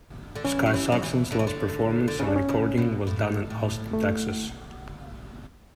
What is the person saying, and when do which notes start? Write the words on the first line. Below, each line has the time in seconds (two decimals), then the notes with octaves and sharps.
Sky Saxon's last performance and recording was done in Austin, Texas.
0.35 D3
0.45 E3 C#4
0.66 F#3
0.74 E3
0.92 F#3
1.03 E3
1.32 D3
1.39 E3
1.47 D3
2.08 D3
2.19 C#3 C#4
2.28 D4
2.36 C#4
2.49 C#3
2.78 B2
3.07 A2
3.50 A2
3.93 A3